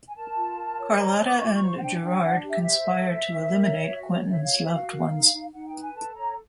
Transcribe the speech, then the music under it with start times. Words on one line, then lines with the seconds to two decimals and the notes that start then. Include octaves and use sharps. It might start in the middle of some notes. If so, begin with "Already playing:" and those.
Carlotta and Gerard conspire to eliminate Quentin's loved ones.
0.08 G#5
0.15 A#4 A5
0.35 F4
0.56 A#4
0.78 C#5
0.98 C5 A#5
1.19 C5
1.26 D6
1.39 F4 C#6
1.46 D6
1.55 C5 C#6
1.76 F#5
1.80 D4 G5
2.01 D4 G5
2.22 D4 F#5
2.43 G4
2.50 E5
2.63 C5 E5
2.84 A4
3.05 C5
3.25 C5
3.46 A#4
3.67 C#5
3.87 F#4
4.08 C#5
4.29 C#5 E5
4.42 F5
4.49 F#4
4.57 F5
4.64 E5
4.70 F#4 F5
4.90 A#4
5.11 D#4
5.33 D#4
5.52 D#4 F#5
5.66 G5
5.74 B4
5.81 G#5
5.95 A4 A5
6.15 C#5 A#5